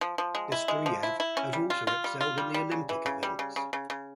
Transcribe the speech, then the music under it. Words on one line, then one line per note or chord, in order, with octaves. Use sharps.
Nestruyev has also excelled in the Olympic events.
F3
F3
G#3
E4
G#3
F3
E4
E4
C#4
G3
F4
F4
G3
F4
G3
G3
C#3
E3
C#3
G3
C#3
C#3
C#3
C#3